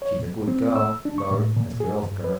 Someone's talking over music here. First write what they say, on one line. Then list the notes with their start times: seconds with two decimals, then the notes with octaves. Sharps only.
She's a good girl, though, as girls go.
0.02 C#5
0.19 A#2
0.48 C4
0.75 E6
1.05 D4
1.18 C#6
1.31 A2
1.57 A#2
1.80 G#4
2.03 G2
2.24 B4